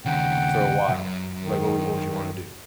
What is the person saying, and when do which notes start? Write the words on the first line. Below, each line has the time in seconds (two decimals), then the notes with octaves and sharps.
for a while. Like, what what would you wanna do?
0.05 D#2 C#3 F#5 G5
0.88 C2 F#2
1.43 D#3